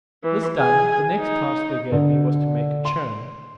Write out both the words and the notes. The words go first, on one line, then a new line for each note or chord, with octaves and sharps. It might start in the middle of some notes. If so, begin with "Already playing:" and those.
This done, the next task they gave me was to make a churn.
E3
G#4 G#5
D#4
D3
C6